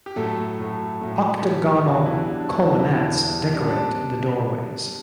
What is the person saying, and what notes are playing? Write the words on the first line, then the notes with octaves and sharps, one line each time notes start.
Octagonal colonettes decorate the doorways.
G4
A2 F#3 A3 A4
A2 F#3 A3
A2 F#3 A3
A2 F#3 G3 A3 G4
E2 D3 F#3 G3 B3 F#4
D4
E3 E4
E2 D3 G3 B3 D4
D4
E4
D4
E2 D3 G3 B3 F#4
E4
D4
E3 E4
E2 D3 G3 B3
C#3 G3 B3 D4
D4